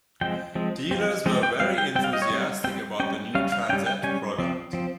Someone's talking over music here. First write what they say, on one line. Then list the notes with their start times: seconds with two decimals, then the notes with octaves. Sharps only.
Dealers were very enthusiastic about the new Transette product.
0.21 F3 G#3 C4 G5
0.55 F3 G#3 C4
0.91 F3 G#3 C4
1.26 F3 G#3 C4
1.43 G5
1.60 G3 C4 F5
1.78 G5
1.95 C4 G5
1.99 G3
2.04 F5
2.13 D#5
2.22 C#5
2.30 G3 C4
2.64 C4 G5
2.67 G3
3.00 G3 C#4 G5
3.35 G3 C#4 F5
3.52 F5
3.69 C#4 G5
3.73 G3
3.86 G5
4.03 G3 C#4 G#5
4.38 F3 C4
4.73 F3 C4